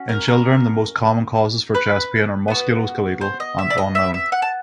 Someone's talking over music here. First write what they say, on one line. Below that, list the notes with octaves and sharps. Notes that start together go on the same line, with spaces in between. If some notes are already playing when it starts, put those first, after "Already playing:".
In children the most common causes for chest pain are musculoskeletal and unknown.
Already playing: C#4 F#4
A#4
A#4
B4
B3 D4 F#4
C5
D#5
E5
D5
D#5
E5
E5
F#5
A5